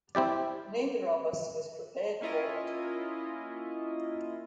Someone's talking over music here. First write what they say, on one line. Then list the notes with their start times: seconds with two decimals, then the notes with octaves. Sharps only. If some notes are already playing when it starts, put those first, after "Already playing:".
Neither of us was prepared for it.
0.15 C4 E4 G4 D5
2.21 A#3 C#4 E4 F4 D#5